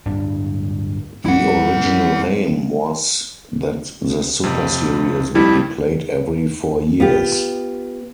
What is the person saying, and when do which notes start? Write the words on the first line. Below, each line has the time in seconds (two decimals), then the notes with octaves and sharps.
The original aim was that the Super Series would be played every four years.
0.06 D1 G2 D4
1.26 F3 G3 C4 E4 F#5
4.43 F2 C3
5.35 F2 G3 E4
7.00 B3 F4 G4